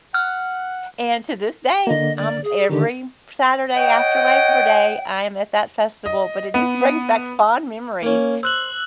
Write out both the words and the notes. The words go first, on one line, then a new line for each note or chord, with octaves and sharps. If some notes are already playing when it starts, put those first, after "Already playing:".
And to this day, I'm every Saturday after Labor Day, I am at that festival, but it just brings back fond memories.
F#5 F6 F#6
D3 A#3 D#5
D5
G#4
D3 D#3 G4
C#5 D#5 F#5 G5
D#5
B3
A#3 C#4
C5 E6 F#6 F#7